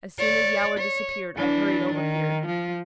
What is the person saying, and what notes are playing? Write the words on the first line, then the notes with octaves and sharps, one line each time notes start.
As soon as Yowler disappeared I hurried over here.
C#5 D5
C#5
E3 D4
D#3
F3